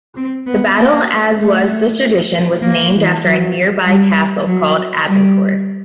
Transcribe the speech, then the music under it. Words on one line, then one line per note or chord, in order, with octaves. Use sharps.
The battle, as was the tradition, was named after a nearby castle called Azincourt.
C4
B3
A#3
A3
A#3
E3
F#3
G3
F#3
G3